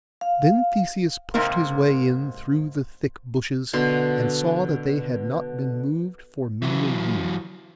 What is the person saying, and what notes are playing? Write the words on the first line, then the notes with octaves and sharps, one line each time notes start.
Then Theseus pushed his way in through the thick bushes, and saw that they had not been moved for many a year.
F5
G#2 C3 A#3
B2 D3 C6
E3 F#3